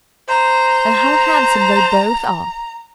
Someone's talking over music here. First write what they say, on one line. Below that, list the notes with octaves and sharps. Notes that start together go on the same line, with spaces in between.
"And how handsome they both are!"
C5 A#5